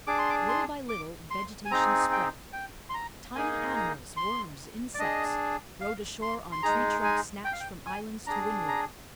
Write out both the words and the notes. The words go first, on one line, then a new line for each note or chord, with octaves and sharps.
Little by little, vegetation spread. Tiny animals--worms, insects--rode ashore on tree trunks snatched from islands to windward.
D4 G#4 D6
C6
D6
C6
D6
C6
G#5
C4 D#4 G#4 A#5
G5
G5
C6
A#5
A#3 D#4 G#4 G#5
A#5
C6
D5
D4 G#4 D#5
F5
C6
C6
G#3 D#4 G#4 A#5
G#5
G5
F5
G5
G#5
D4 G#4 A#5
A#5